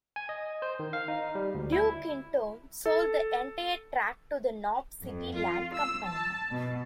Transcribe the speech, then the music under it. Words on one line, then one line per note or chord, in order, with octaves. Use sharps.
Duke, in turn, sold the entire tract to the Knob City Land Company.
G#5
D#5
C5
D#3
F5
D#4
G3
D2
E4
A4
F2
F4
E6
A5
B2